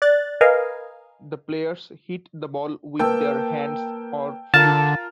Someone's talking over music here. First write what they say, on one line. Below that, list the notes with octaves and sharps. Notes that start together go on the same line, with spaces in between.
The players hit the ball with their hands or feet.
D5 F#6 A6
A#4 B4 D#5 F5 G#5
A#3 B4 G5 A5 E6
D3 F4 A#4 A5 F6